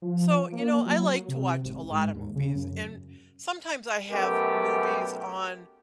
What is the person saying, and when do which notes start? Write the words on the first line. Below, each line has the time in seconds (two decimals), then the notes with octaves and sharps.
So, you know, I like to watch a lot of movies, and sometimes I have movies on
0.02 F3
0.52 A#3
0.86 F#3
1.28 C3
1.65 G#1
1.90 G#2
2.14 D#2
2.35 C#3
2.55 F#2
4.11 F#2 B2 A3 G4 A#4